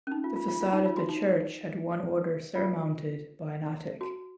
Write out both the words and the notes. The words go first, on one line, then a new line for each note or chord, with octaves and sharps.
The facade of the church had one order surmounted by an attic.
C#4
D#4
F4
F4
F4
F4
D#4
F4
F#4
D#4
F4
F#4